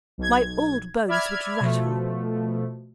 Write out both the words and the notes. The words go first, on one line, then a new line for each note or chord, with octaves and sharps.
My old bones would rattle.'
B1 G#6
D5 E5 B5 F6 G#6
B2 F3 A3